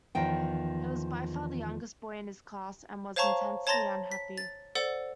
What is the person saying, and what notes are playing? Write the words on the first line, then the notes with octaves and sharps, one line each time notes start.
He was by far the youngest boy in his class and was intensely unhappy.
E2 D#3 F3 G5
C5 C#5 F5 A5 A#5 C#6
C#5 A5 A#5 C6 A6 A#6
B6
A6
A4 C5 D5 F#5